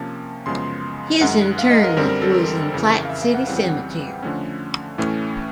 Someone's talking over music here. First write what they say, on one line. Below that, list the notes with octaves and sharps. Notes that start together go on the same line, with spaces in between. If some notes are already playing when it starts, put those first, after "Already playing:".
His interment was in Platte City Cemetery.
Already playing: C3 F3 A#3 C#4 A5
F#2 C#3 F3 G#3 B3 C6
F#2 D#3 G#3 F#5
F5
D#5
A#4
F#2 D3 G3 C4 A#4
A#4
A4
A#4
F2 C#3 E3
F5
E5
F5
F#5
F2 C#3 E3 G3 C4 F#5
G5
F#5
D3 F3 A3 C#4
A2 E3 A3 C#4